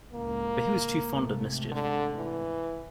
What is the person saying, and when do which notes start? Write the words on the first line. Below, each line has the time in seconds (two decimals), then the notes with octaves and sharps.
But he was too fond of mischief.
0.13 C#2 A2 A#3
1.10 G#2 C3 A3
1.71 D3
2.16 E3